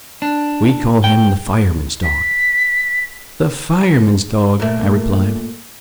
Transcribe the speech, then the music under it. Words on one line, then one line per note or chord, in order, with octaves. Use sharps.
We call him the firemen's dog.' 'The firemen's dog!' I replied.
D4
G5
B6
A#2 A3